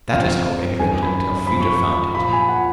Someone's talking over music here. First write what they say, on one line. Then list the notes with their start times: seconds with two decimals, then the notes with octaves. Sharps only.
That is how Edred and Elfrida found it.
0.11 F2 F3 F5
0.79 F#2 D#3 G#5
1.02 B5
1.47 F#2 F3 B5
1.60 C#6
1.73 B5
2.15 A#2 F3 B5
2.33 G#5
2.49 F#5